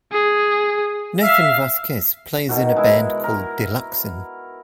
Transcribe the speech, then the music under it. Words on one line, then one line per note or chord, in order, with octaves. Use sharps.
Nathan Vasquez plays in a band called Deluxin.
G#4
E5 F5
B2 D#3 F#4
G#3 E4
A#4